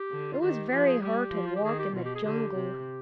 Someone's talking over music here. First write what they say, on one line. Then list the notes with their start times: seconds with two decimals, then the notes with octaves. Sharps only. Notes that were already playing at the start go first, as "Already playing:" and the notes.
It was very hard to walk in the jungle.
Already playing: G4
0.11 D3
0.33 F4
0.41 D#3 G4
0.72 F3 G4
0.87 G#4
1.02 G3 G4
1.33 F3
1.47 F4
1.56 G4
1.64 D#3 G#4
1.79 G4
1.94 B2 F4
2.05 G4
2.15 G#4
2.24 D3 G4
2.55 C3